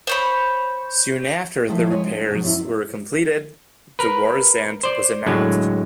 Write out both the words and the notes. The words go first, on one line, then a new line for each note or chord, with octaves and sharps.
Soon after the repairs were completed, the war's end was announced.
C5 C#5 B5
D#3 F3 A3 D#4 E4 C5
F3 G#3 C#5 G#5
D4 G#4
B2 F#3
F#2 F#3 G3 C4 E4 E5
A#4 B4
C5 D5
A2 D3 F#3 G#3